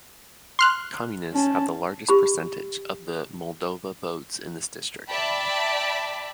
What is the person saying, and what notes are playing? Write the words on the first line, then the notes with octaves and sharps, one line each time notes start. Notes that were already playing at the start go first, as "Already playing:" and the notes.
Communists have the largest percentage of the Moldova votes in this district.
C6 F6 F#6
C#4 A5
G4 B5
D5 E5 G5 A5 B5